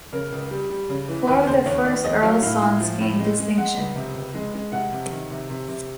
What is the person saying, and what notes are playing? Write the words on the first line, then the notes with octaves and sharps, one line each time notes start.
Four of the first earl's sons gained distinction.
C#3 A#4
C#2
G3
G3
C#3
E3
D#2 B4
C#3 C5
D#2 C#5
D#2 D5
D#2 D#5
F#3 F5
A2 F5
A2
F3
A2
G#3
G#3
G#3 F#5
C#2
C3
C#2
G#3
G#3
C2 F#5
C3
D#3
C3
C3
C3